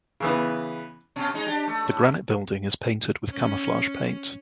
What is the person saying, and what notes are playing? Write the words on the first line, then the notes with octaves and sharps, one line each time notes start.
The granite building is painted with camouflage paint.
C#3 E3 B3
B2 C#4
G#3 D#4
D4 G4
A3
A2
C#4